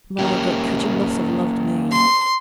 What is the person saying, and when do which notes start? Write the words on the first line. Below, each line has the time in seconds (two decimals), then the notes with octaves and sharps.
Margaret, could you not have loved me?
0.19 A#3 C#4 G4
1.92 C6